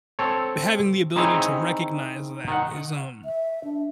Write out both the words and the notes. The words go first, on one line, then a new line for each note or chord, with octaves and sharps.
having the ability to recognize that is, um,
C4 A4 C#5
D#3 C4 D#4 E4 G#4 C#5
D#3 F#5
E5
D4